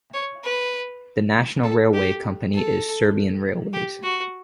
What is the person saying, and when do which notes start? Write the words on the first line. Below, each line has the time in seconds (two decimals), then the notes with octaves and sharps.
The national railway company is Serbian Railways.
0.14 C#5
0.43 B4
1.63 A4
1.94 G4
2.53 A4
3.73 G4
4.03 F#4